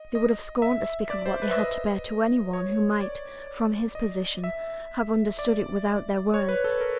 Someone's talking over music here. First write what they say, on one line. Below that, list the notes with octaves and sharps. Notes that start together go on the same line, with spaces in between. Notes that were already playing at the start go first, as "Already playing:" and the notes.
They would have scorned to speak of what they had to bear to any one who might, from his position, have understood it without their words.
Already playing: D#5
D#5
E5
D5
C5
B4
E5
D#5
C#5
D5
D#5
E5
D5
C#5
B4
A4
A#4